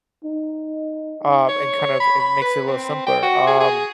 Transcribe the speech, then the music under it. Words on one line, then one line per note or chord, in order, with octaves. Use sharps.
um, and kind of it makes it a little simpler. Um,
D#4
C#5
B5
B5
B4
C4
G5
F#4
G#4
G#4